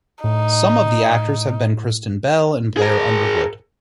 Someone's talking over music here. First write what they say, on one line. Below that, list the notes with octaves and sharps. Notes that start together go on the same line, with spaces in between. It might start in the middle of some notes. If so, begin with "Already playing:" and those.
Some of the actors have been Kristen Bell and Blair Underwood.
A2 D#4
G#4 A#4